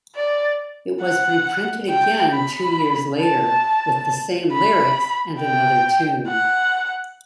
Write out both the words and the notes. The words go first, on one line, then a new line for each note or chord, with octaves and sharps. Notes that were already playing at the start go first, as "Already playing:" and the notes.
It was reprinted again two years later with the same lyrics and another tune.
D5
F#5
G5
B5
A5
B5
G5
F#5